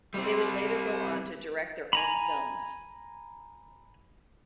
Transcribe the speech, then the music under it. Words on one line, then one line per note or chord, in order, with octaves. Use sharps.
They would later go on to direct their own films.
G3 C4
G#5 A#5 B5